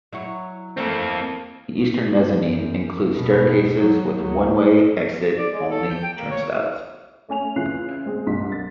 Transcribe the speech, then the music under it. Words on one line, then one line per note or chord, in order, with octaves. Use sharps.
The eastern mezzanine includes staircases with one-way exit-only turnstiles.
F#3 E4 C#5
E3 A3 A#3 C4 A4
F#2
E2 B2
F#3
D2 F#3
D5
G#3
A4
G6
G5
A#3
C#5
A3 C#4 G#5 F7
C#3 E3 F4 F#6 C7
G#3 C4 G#4
C2 G2 D#4 C6 B6
B1 A6